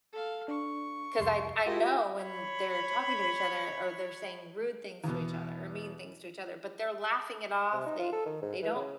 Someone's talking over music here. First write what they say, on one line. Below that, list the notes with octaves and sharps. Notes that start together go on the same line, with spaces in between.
'cause I I know when they're talking to each other or they're saying rude things to each other or mean things to each other, but they're laughing it off, they they don't
A4 F5
D4 C#6
C2 F2 C6
E4 F4 G4 A#4 D#5
C#5 B5
E2 B2
C3
D#4
F4
A4
D#3
G#2
E3
C#3